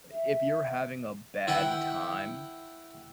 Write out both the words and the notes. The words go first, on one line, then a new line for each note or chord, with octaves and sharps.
I if you're having a bad time,
E5
E4 B4 F#5 G5